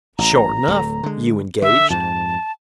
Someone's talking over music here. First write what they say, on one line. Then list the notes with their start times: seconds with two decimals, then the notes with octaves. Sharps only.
"Sure enough, you engaged?"
0.19 A1 A#5
0.68 D1 A3
1.03 D3 G#3
1.62 D3 E5
1.90 F2 G#2 A5